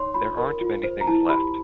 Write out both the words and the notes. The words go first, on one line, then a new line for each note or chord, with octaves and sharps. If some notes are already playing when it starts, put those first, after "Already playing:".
There aren't many things left.
Already playing: D#4 C#5 C6
F4 B5
A#4
F4
C5
A#5
E4 A5
G4 B5